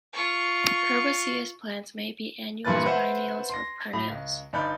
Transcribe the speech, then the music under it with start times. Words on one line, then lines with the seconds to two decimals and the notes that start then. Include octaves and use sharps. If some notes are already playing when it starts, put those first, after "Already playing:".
Herbaceous plants may be annuals, biennials or perennials.
0.13 F4 C#6
2.65 G2 A#2 E3 B4 A6
2.86 B4 C5 E5 F#5
3.49 C6 A#6
3.93 A2
4.09 C#2
4.53 G1 D#4 D5 B5 G6